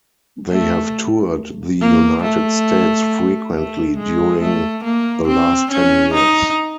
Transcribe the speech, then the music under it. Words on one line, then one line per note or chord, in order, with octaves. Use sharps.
They have toured the United States frequently during the last ten years.
A3
A#3
A3
A3
G#3
A3
A#3
C4
C#4
D#4